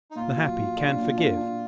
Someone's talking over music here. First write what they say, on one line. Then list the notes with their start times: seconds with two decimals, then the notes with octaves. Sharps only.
The happy can forgive.
0.11 D#4
0.16 A#2 F4
0.37 F#3
0.57 F#3
0.77 D4
0.97 A#2
1.18 D4
1.37 D4